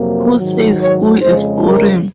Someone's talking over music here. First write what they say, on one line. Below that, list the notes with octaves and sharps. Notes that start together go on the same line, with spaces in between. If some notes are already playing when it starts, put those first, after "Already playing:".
Who Says School Is Boring?
Already playing: F2 C3 F#3 A#3
G#2 D#3 F#3
C#5
F2 C#3 G#3 C5
A#4